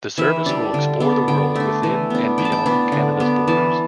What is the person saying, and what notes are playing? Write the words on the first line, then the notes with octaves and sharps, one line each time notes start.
The service will explore the world within and beyond Canada's borders.
E3 E5
G3 D4
D3
B3 D4
D3 G5
A3 D4
E3
B3 D4
E3 G5
A5
G5
B3 D4
D3
B3 D4
E3 A5